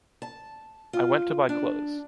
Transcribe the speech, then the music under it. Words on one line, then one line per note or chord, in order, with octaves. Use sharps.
I went to buy clothes.
A5
F4
D4